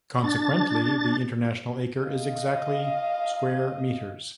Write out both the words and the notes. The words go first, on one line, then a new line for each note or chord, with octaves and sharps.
Consequently, the international acre is exactly square metres.
D4 A6
D#5 F5